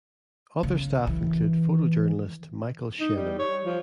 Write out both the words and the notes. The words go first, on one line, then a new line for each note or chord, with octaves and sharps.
Other staff include photojournalist Michael Schennum.
C#3
E3
D#4
G3
C#5
F3